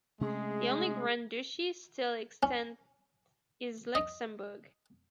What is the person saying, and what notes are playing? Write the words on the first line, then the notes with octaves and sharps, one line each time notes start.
The only grand duchy still extant is Luxembourg.
C3 G#3 A3 C#4 G#4
C#4
D#5